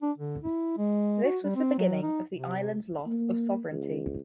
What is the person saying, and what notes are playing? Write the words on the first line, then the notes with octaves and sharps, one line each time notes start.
This was the beginning of the island's loss of sovereignty.
D4
D3
E4
G#3
F#4
G3
C4
F#3
D#4
C3
A#3
C#2